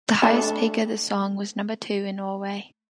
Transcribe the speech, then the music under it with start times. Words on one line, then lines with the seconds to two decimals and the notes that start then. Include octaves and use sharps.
The highest peak of the song was number two in Norway.
0.22 A3 D4